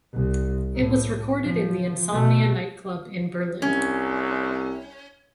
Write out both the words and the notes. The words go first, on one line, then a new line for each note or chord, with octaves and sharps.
It was recorded in the Insomnia nightclub in Berlin.
C2
A2
F3
B2 A3
C2 C#4